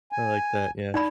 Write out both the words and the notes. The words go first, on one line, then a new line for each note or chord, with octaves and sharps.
I like that, yeah.
G#5
D#4 D5 B5